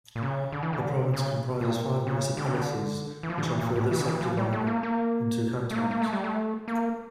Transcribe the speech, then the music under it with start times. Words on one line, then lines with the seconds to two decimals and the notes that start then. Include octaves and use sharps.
The province comprises five municipalities which are further subdivided into cantons.
0.15 A#2
0.23 C#3
0.52 D3
0.63 E3
0.73 D3
1.14 C#3
1.61 A#2
2.07 C#3
2.37 D3
2.46 C#3
2.55 D3
3.23 E3
3.30 F3
3.38 D3
3.45 E3
3.59 A#2
3.76 A2
3.91 E3
3.99 D3
4.08 E3
4.21 F3
4.37 G3
4.53 A3
4.67 A#3
4.83 A#3
5.71 A3
5.75 A#3
5.91 A#3
6.02 A3
6.13 G3
6.24 A3
6.68 A#3